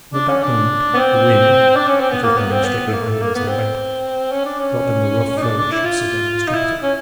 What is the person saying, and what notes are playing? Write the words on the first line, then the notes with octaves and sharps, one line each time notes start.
And at that moment the wind, which was blowing straight behind them as they went, brought them the rough flourish of Sir Daniel's trumpeter.
D4
C#4
D4
B3
C4
D4
C#4
C4
B3
A#3
B3
C4
B3
A3
A#3
A3
A#3
B3
C4
C#4
D4
C#4
D#4
D4
D4
E4
F4
D#4
E4
C#4